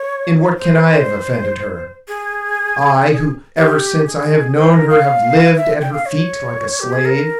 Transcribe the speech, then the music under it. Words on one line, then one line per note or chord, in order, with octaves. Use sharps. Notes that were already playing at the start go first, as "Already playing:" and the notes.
In what can I have offended her--I who ever since I have known her have lived at her feet like a slave?
Already playing: C#5
C5
G#4
G4
G#4
C5
A#4
F5
E5
G5
F5
C#5
G4
G#4
A#4